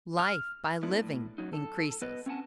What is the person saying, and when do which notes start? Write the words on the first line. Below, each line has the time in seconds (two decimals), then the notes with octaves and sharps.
Life, by living, increases.
0.19 F6
0.83 G#3 B3 D4 E4
1.00 A2
1.38 F#2 F#3 D#4
1.53 A4
2.02 B3 B4 D#5
2.26 C4 C#4 F5 F#5 G#5 A5